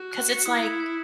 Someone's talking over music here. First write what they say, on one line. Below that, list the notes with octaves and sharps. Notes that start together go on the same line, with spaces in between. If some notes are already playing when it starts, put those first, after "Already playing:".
'cause it's like
Already playing: F#4
F#6
C#7
E4 D#6
G#6
G#6